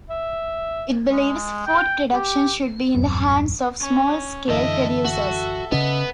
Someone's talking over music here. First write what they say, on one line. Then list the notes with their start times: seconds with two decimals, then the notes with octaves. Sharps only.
It believes food production should be in the hands of small-scale producers.
0.10 E5
1.10 G#3
1.67 G5
2.14 G4
2.95 D#1 A1 F#2 C4
3.80 C#4
4.48 C#2 F#2 D3 E3 A4 D#5 E5
5.04 F#4
5.72 C#3 B3 C#4 D#5